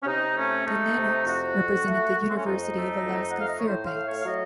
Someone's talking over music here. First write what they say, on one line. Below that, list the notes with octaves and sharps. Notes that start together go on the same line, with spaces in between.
The Nanooks represented the University of Alaska Fairbanks.
C#4
C3 D#4
A3 C#4
A3 D#4
C3
F2 F#4
F2
A3
A3
C4
C#4
F2 D#4
A3
F2
F#5
A3 F5
D#5
C#5
A2 C5
F5
A3
C#5
F5
F#3 D#5